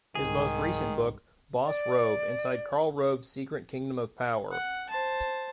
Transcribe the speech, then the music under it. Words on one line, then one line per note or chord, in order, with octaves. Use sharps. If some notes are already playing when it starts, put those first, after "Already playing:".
His most recent book "Boss Rove: Inside Karl Rove's Secret Kingdom of Power".
C2 G#2 D#3 G#4
D5
F#5
C5 A5